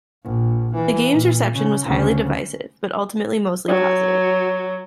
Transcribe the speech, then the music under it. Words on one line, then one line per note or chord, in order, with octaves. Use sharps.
The game's reception was highly divisive, but ultimately mostly positive.
A#1
E3
A#2
C#3
D2 C#3
F#3